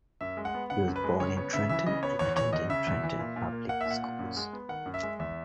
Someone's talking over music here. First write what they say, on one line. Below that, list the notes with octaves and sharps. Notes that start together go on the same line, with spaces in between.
He was born in Trenton and attended Trenton public schools.
F#2 E5
G#3
F#5
B3
C#3 F#5
F#2
B4
G#3
C#3 C#5
B3 C#5
C#3 E5
E3 E5
C#3 D#5
B3 C#5
E2 C#5
E3 C#5
E2 D#5
C#3 E5
E2
E3
A#2
A#2
A#3
A#3 F#5
A#2 E5
F#5
A#2
F#2
G#3
B3
D#3 F#5
F#2
E5
G#3
E2 E5